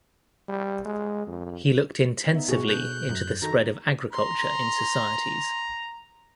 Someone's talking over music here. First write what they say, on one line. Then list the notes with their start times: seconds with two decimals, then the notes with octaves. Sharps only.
He looked intensively into the spread of agriculture in societies.
0.48 G3
0.85 G#3
1.27 F2
2.32 B3 D#4 E5
2.48 B2 F#4 G#4
2.68 B2 A4 F#6 G6
3.09 F#2
3.42 D#3 F#4 A4 A#5
4.13 A#5 C6